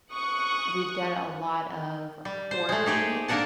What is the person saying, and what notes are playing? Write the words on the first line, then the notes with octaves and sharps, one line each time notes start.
we've done a lot of pour painting,
C#6 D#6 F#6 C#7
G3
C5
G#3 A3
D#4 G4 G#4
A#3 D4 A#4 F#5 A5